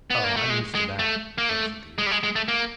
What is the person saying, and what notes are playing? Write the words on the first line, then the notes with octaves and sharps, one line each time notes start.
'Oh, I am used to that,' answered the youth.
B3
A#3
A3
G#3
G#3
A3
A#3
A3
G#3
G3
G#3
G#3
A3
A#3